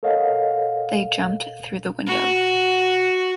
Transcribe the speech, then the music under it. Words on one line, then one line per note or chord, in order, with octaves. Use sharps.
They jumped through the window.
A4 A#4 C#5 D#5 F5 F#5
F#4